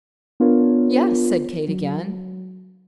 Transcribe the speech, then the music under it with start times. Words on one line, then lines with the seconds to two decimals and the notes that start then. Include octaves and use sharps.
"Yes," said Kate again.
0.40 B3 D4 F4 A#4 C#5
1.68 F#3